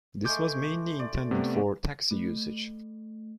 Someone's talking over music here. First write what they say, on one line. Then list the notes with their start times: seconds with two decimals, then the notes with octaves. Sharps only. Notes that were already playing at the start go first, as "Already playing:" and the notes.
This was mainly intended for taxi usage.
0.25 G#3 A3 D6 G6
0.99 D5
1.31 C3 A3 B3
2.11 A3